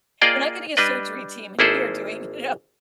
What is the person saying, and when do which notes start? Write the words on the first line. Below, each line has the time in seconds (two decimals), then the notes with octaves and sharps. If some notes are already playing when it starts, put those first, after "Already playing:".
We're not getting a surgery team in here doing you know
0.22 A#3 F4 G#4 D5 D#5 G5
0.77 G3 D4 B4 D#5
1.59 G#1 A#3 E4 G#4 A4 C5